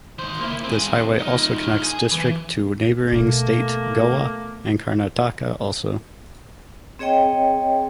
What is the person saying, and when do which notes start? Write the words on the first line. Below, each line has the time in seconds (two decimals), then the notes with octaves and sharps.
This highway also connects district to neighbouring state Goa and Karnataka also.
0.19 D#3 C5
0.40 A#3 E4
0.64 C4 G#4
1.19 D#4 F4
1.83 G#4 G#5
2.11 E3
3.12 B2 A3 A#3
6.99 C4 G#4 C#5 D#5 G5